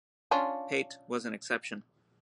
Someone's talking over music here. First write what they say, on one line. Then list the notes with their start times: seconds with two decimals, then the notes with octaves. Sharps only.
Paete was an exception.
0.31 C#4 D4 F4